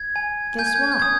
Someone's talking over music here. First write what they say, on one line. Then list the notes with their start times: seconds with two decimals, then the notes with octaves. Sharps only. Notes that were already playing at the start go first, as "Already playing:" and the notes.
Guess why?
Already playing: G#6
0.16 G#5
0.59 G#5 G6
0.67 G#6
0.76 G6
0.83 G#6
0.92 G6
1.00 D#6 G#6